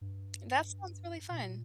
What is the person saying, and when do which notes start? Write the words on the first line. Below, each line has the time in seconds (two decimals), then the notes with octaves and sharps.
That sounds really fun.
0.01 G2
1.30 A#2